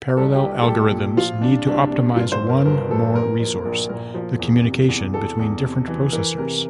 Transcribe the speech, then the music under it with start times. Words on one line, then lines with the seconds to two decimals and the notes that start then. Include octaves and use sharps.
Parallel algorithms need to optimize one more resource, the communication between different processors.
0.17 C2 A4
0.35 G4
0.42 C2
0.62 A4
0.67 A#2 G4
0.92 A#2
1.17 F3 F4
1.41 C3 D4
1.67 C2 D4
1.91 C3
2.15 G1 F4
2.32 C5
2.41 G1
2.49 A#4
2.65 G1 A#4
2.90 F3 A4
3.15 A#2 A#4
3.40 F3
3.65 A#1 A#4
3.89 A#2 A#4
4.14 F3
4.39 E2
4.64 C3
4.88 E2
5.14 E2 A4
5.39 E2
5.63 C3
5.88 E3
6.12 E3 A#4
6.38 C3 A#4